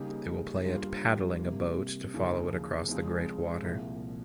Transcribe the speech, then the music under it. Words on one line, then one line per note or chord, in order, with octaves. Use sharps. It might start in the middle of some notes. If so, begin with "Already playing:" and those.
They will play at paddling a boat to follow it across the great water.
Already playing: C#3 G3 A#3 D#4 G4
G2 G3 A#3 F4
C3 G3 A#3
D#2 C#3 F3
C#3 F3 G#3 C4
C2 A#2 F3